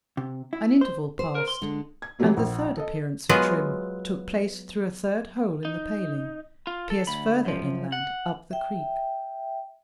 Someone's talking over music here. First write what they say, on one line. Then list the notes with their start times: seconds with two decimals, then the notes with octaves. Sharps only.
An interval passed, and the third appearance of Trim took place, through a third hole in the paling, pierced further inland up the creek.
0.17 C3
0.53 E4
0.81 C5
1.19 C5
1.35 A#4
1.48 C6
1.62 D3 G#3
2.02 G#6
2.19 C3 E3 F#3 G3 A3 A#3
2.34 A#1 F#5
2.77 A4 D#5
3.29 F#3 G#3 B3 F4
5.65 D#4
6.67 F4
6.90 A4
7.07 D2 B5
7.45 F#2 F3
7.92 F#5
8.51 E5 G5